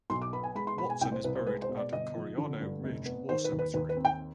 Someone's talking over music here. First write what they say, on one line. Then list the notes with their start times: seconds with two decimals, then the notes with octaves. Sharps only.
Watson is buried at Coriano Ridge War Cemetery.
0.10 B1 C6
0.22 D6
0.33 B3 B5
0.44 G#5
0.55 G#3 B5
0.67 C6
0.78 B2 B5
0.90 G#5
1.01 C2 G5
1.12 C5
1.24 C2 B4
1.35 C5
1.46 G#3 B4
1.62 C5
1.69 B2
1.77 D5
1.92 G1 D#5
2.15 F3
2.38 D3
2.60 G2
2.84 F1
3.06 B3
3.29 D#3 C5
3.44 B4
3.52 D#2
3.59 B4
3.74 D#2 B4
3.89 B4
3.97 C4
4.05 G5